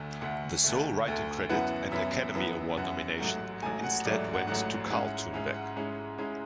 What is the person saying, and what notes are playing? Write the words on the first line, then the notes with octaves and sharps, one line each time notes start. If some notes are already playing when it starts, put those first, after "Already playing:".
The sole writing credit and Academy Award nomination instead went to Karl Tunberg.
Already playing: D2 D3 A3 E5
D2 D3 A3 F#5
D2 D3 A3
D2 D3 A3
F#2 E3 B3 E4 F#5
F#2 E3 B3 E4 E5
F#2 E3 B3 E4 E5
F#2 E3 B3 E4 F#5
A1 G#2 F#3 A3 F#5
A1 G#2 F#3 A3 G#5
F#5
A1 G#2 F#3 A3 D5
F#5
A1 G#2 F#3 A3 F#5
G#2 G#3 C#4 E4 F#5
G#2 G#3 C#4 E4
F#5
G#2 G#3 C#4 E4
G#2 G#3 C#4 E4